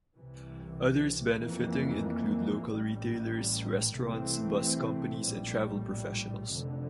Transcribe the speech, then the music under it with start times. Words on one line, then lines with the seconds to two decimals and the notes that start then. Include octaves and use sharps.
Others benefiting include local retailers, restaurants, bus companies and travel professionals.
0.16 C2 C3 E3
1.44 F2 E3 A#3
2.71 A1 A2 G3
3.98 C2 C3 E3 A3 C4
5.25 A#1 A2 G3
6.53 F1 F2 D3